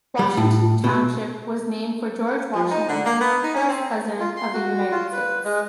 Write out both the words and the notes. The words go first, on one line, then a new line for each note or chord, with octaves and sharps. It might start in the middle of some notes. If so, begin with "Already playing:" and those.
Washington Township was named for George Washington, first president of the United States.
G3
A2
B2
F3
D#4
D3
A#3
B3
D#4
C#4
C4
F4
C6
F#4
F4
B4
G#3